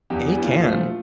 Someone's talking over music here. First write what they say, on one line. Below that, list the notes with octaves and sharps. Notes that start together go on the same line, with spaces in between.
A can.
E2 G4
E3 G3
A#2 F4
F3 A3